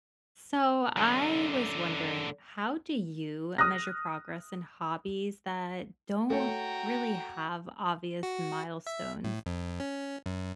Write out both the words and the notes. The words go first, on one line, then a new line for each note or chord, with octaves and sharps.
So, I was wondering, how do you measure progress in hobbies that don't really have obvious milestones?
F#2 D3
D#6 F6 F#6 A#6
A3 F#4 C#5 G5 A#5
F#4
E5
A2
F2
C#4
F#2